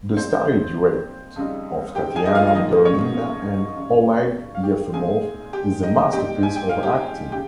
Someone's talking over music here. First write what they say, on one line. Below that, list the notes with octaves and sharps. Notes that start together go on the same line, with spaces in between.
The starry duet of Tatiana Doronina and Oleg Yefremov is a masterpiece of acting.
A#2 G3 C4 D#4 C5
F2 C#3 G3 C4 D#4
G4 G5
G#4 G#5
D#5
F4 F5
F5
G#2 F3 A#3 D#4 D#5
C#4 C#5
G2 D#3 G#3 C#4
F5
G4 G5
A#2 G#3 C4 D#4 G#4 G#5
G4 G5
D#4 D#5
A#2 G3 C4 D#4 G4 G5
G#5
G5
F5
G4 G5
C#3 G4 G5